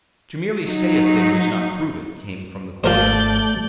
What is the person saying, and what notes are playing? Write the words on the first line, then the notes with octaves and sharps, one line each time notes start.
"To merely say a thing does not prove it," came from the coroner.
F#3 D#4
G#1 G#2 A3 F4 A#4 C5 D5 G6